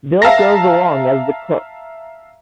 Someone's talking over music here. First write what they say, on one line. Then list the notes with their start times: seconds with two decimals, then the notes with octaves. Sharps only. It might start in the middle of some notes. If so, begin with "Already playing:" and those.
Bill goes along as the cook.
0.22 E5 F5 A5 A#5 A#6